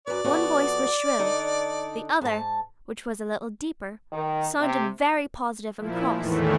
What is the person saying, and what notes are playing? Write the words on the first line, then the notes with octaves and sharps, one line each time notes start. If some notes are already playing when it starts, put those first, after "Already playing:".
One voice was shrill; the other, which was a little deeper, sounded very positive and cross.
F#2 B4 D5
F2 B3 F#4
D3 D4 D#4
G#2 A5
D#3
C3
A#2 F3 E4
E2 A2 D#3 E3 A3